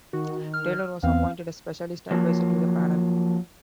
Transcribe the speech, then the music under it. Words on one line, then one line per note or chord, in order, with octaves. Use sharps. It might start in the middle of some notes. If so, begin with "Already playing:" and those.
Taylor was appointed a specialist adviser to the panel.
D#3 F#4
F6
E2 B3 C4 F5
F3 F#3 A#3